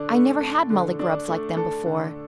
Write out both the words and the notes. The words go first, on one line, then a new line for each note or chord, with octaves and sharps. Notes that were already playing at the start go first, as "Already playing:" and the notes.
I never had mullygrubs like them before.
Already playing: D3 D4
A3
A4
D3
D4
A3
A4
D3